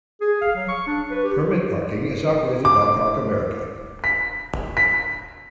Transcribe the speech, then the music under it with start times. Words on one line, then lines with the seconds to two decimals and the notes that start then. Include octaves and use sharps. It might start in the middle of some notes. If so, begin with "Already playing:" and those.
Permit parking is operated by ParkAmerica.
0.21 G#4
0.41 F5
0.55 F#3
0.69 C#6
0.87 D4
1.11 B4
1.24 G4
2.65 D6
4.04 B6
4.77 B6